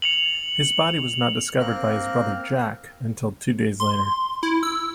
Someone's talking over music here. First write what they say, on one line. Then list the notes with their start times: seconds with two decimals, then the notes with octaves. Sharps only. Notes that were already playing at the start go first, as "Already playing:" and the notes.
His body was not discovered by his brother, Jack, until two days later.
0.02 C#7 F7 F#7
1.60 A#3 C4 A#4 F6 F#6
3.80 C6
4.43 E4
4.63 E6